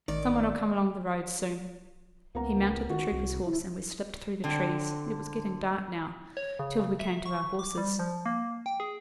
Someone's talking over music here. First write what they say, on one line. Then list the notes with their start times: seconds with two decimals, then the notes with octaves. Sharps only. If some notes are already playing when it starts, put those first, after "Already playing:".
Some one'll come along the road soon.' He mounted the trooper's horse, and we slipped through the trees--it was getting dark now--till we came to our horses.
0.08 A1 D#3 D5
2.35 C#2 A#3 B3 A#5
2.90 D#3 F#4
3.12 C2
3.46 E4
4.44 D3 C4
6.37 C#5
6.59 C#3
6.80 C#3
6.99 E5
7.26 C#6
7.59 D6
7.78 G3
7.99 F3
8.26 A#3
8.66 G5
8.80 G#4